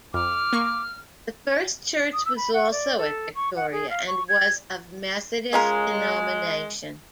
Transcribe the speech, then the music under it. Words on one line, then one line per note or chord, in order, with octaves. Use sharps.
The first church was also at Victoria, and was of Methodist denomination.
F2 D6 F6
A#3 C#6
D#6
E6
B5
F#5
D5
A4
C#6
F#5
G#4
F5
C#6
G#6
G#3 C#4 F4 A#4